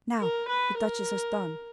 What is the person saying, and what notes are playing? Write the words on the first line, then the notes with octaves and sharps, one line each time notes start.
Now--the duchess has done.
A#4
B4
A#4